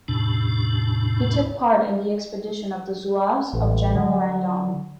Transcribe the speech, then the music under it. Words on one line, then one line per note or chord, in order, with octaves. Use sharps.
He took part in the expedition of the Zouaves of General Randon.
E2 A2 C3 D4
A1
D3 F#3